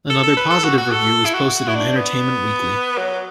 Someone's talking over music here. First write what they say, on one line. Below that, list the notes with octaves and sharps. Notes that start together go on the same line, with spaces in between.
Another positive review was posted on "Entertainment Weekly".
A4
A4
B4
A4
F#4
F#4
A4
E4
F#4
E4
D4
B3
F#3